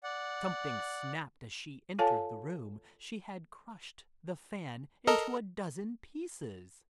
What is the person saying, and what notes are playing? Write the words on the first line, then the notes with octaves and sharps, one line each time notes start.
Something snapped as she entered the room; she had crushed the fan into a dozen pieces.'
D5 F#5
F4 A4 C#5 F5 G#5 A5
A4 A#4 D#5